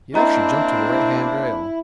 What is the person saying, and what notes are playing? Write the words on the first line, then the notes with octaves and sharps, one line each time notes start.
He'd actually jumped to the right-hand rail.
A#3 C4 D4 E4 D#5 A#5